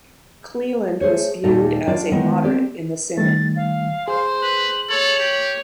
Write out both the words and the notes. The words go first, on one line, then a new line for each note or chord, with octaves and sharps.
Cleland was viewed as a moderate in the Senate.
A3 G#4 C5 C#5
D#2 A#2 G3 D#4 A4 D#5
F#3 D4 F4 D5
D#3 G#3 B3
C4 G4 D5
D#3 G3 A3 A6
F5
G#4 C5
B4 F#7
A4 C#5
G4